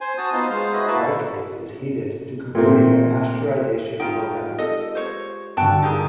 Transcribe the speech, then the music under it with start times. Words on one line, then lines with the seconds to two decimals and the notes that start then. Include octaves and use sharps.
White base is heated to completing a pasteurization program.
0.01 C5 G#5
0.18 F#4 A5 D#6
0.33 B3 D#4 F4 C5
0.50 G#3 C5 F5
0.73 F#4 G#4 B4 D#5 E5
0.87 A#3 E4 F#4 B4 E5 A5
2.55 A#2 A3 C4
4.00 G#3 D#4 F4 G4 G5
4.58 A4 D#5
4.95 C5 C#5
5.57 G2 D3 F#4 G5 A5
5.82 D#4 G4 G#4 A#4 G5 A5